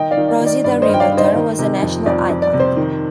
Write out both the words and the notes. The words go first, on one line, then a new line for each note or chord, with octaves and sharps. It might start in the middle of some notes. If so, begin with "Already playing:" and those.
Rosie the Riveter was a national icon.
Already playing: D#3 D#5 G5
D5 F5
D#3
D5
D#3
D5
G2 D5
C5 D#5
G2
G5
D5 F5
G2
C5 D#5
D#3
C3
F2
F2 D5
F2
D5
C3
C5
D#3